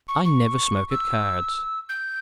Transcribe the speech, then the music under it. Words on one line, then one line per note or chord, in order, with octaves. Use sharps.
"I never smoke at cards."
C#6
C#6
E6
G6